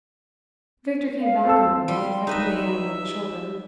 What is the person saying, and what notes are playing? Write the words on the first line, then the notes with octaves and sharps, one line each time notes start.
Victor came back a moment and put a hand on his shoulder.
F5
C4 A4 E6
G3 F5 C6
D#4 B4 C#5 D#5 E5
G4